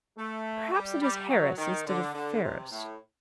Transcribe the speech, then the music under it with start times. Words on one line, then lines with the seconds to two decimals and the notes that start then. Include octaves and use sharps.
"Perhaps it is Harris instead of Ferris."
0.17 A3
0.72 G3
1.01 G3
1.29 F#3
1.57 D#3
1.86 D3
2.14 D3
2.42 C3
2.70 A2